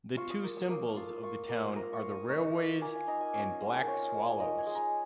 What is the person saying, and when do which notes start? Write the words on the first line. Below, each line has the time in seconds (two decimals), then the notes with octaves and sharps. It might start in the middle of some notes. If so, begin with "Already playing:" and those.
The two symbols of the town are the railways, and black swallows.
0.17 F4 C#6
0.30 D#6
0.44 A#3
0.57 D#6
0.70 A#3
0.97 F4
1.23 F4 C#6
1.49 A#3
1.76 A#3 A#5
1.93 C#6
2.02 F4
2.11 D#6
2.29 D#4 C#6
2.55 A#3
2.81 A#3 G#5
2.95 F5
3.08 D#4 A#5
3.21 G#5
3.35 C#4 F5
3.61 G#3
3.80 A#4
3.87 F4 C#5
4.14 G#3
4.40 D#4 D#5
4.58 G#5
4.67 G#3
4.75 A#5